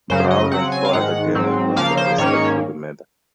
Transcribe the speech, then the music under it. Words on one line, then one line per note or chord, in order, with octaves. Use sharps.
Brown and four other gang members were arrested for the murder.
F#2 C#3 F#3 C5
D#5
C#3 F#3 C4 F#5
G#5
F5
G#2 D#3 G#3 F#5
G#2 F#3 C4
C#3 F3 A#3 F5
C5
G#2 D#3 A#3 C#4 C#5